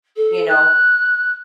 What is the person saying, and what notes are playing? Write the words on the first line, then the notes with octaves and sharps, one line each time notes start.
You know?
A4
F#6